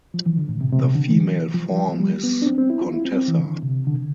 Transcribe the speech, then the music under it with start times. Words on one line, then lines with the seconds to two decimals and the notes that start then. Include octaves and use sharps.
The female form is "contessa".
0.14 F3
0.26 E3
0.37 D3
0.49 A2
0.61 C3
0.72 C3
0.79 B2
0.84 C3
0.95 D3
1.08 E3
1.54 F3
1.89 F3
2.00 G3
2.24 B3
2.42 D4
2.47 C4
2.58 C4
2.70 E4
2.81 F4
2.94 E4
3.05 C4
3.17 C4
3.28 E3
3.39 D3
3.63 C3
3.87 D3
3.94 C3